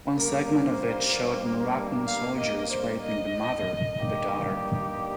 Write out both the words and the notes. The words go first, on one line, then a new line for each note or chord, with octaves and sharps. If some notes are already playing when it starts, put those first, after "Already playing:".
One segment of it showed Moroccan soldiers raping the mother and the daughter.
G2 G3 A#3 A#4
C5
F5
D#5
C5
D#5
G2 G3 A#3 D#4 G4